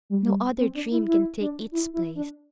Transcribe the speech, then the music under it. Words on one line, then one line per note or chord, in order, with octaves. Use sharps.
No other dream can take its place.
G3
G3
C4
D4
E4
E4
D4
E4
E4
D4